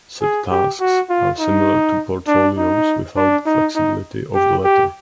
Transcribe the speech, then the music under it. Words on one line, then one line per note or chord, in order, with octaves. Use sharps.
Set tasks are similar to portfolios without the flexibility of the latter.
G#4
G4
F#4
F4
D#4
D4
D#4
D4
D#4
D#4
G4
G4